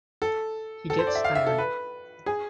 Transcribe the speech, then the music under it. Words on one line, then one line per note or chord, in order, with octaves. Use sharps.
He gets tired.
A4
A4
C5
D5
E5
F5
E5
A4
B4
G#4